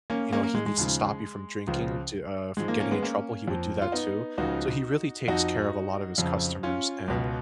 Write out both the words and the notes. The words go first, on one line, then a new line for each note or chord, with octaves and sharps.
you know, he needs to stop you from drinking to, uh, from getting in trouble, he would do that too. So he really takes care of a lot of his customers and,
A#3 C#4
A#3 C#4
A#3
G#3
G#3
D#2 C#3 F3
C#2 C#3 F3
G#2 F3 G#3
A#3
A#3 C#4
G#3 B3
A#3 C#4
F2 F3
F4
B3 D#4
C#2 C#3 F3 D#4 F#4
F2 F3 D#4 F#4
F2 C#3 F3
C#4 F4
C#2 B2